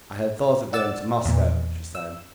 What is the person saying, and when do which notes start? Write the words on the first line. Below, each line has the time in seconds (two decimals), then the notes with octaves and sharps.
"I had thought of going to Moscow," she said.
0.73 D5 F#5 E6 A6
1.25 E2 A#2
1.95 E6